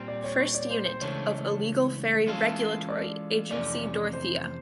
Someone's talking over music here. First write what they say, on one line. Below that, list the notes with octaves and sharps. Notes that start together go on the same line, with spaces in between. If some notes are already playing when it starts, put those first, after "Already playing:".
First Unit of Illegal Fairy Regulatory Agency Dorothea.
Already playing: A#2 G3 C4
D5
C#5
C#5
D5
C5
C5
C#2 C#3 E3 A3 D4 C#5
E3 G#3 C#4 F4 A4
D5
F2 C3 E3 A3 C#4 D5
C5